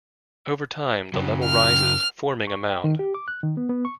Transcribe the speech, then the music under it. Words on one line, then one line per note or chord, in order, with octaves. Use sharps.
Over time, the level rises, forming a mound.
F#2 C#3 F#3
F6
C#6
G5
D#3
G4
D6
F#6
D#3
B3
B3
C#6